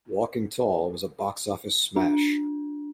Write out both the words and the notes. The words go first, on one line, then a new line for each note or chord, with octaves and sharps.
"Walking Tall" was a box office smash.
D4